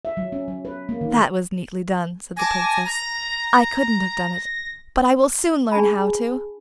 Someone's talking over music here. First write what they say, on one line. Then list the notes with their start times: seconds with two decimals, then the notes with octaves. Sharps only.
'That was neatly done!' said the Princess. 'I couldn't have done it; but I will soon learn how to!'
0.05 E5
0.17 F#3
0.32 C#4
0.48 F#3
0.65 B4
0.89 A#3
1.01 D#3
2.37 G#5 A5 D6 A#6
2.85 A#5 A#6
5.71 D4 G#4 G#5 A5 B5